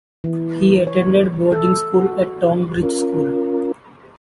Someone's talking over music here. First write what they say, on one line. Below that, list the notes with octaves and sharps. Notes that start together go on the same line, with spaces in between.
He attended boarding school at Tonbridge School.
E3
C#5
A4
F#4
C#4 F4 A#4